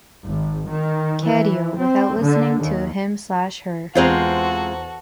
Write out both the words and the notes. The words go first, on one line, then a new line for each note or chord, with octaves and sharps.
Cadio, without listening to him/her.
G#1
D#3
E3
C4
D3
D#2
E2 G#3 C4 F4 F#4 A4 C5 A#5